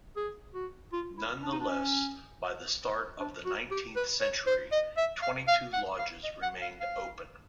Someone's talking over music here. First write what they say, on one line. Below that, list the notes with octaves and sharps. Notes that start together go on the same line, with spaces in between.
Nonetheless, by the start of the nineteenth century, twenty-two lodges remained open.
G#4
F#4
F4
E4
D4
D#4
D4
C#4
D4
F#4
G4
B4
C#5
C5
D#5
E5
F5
F5
F#5
F5
D#5
F#5
F5
F5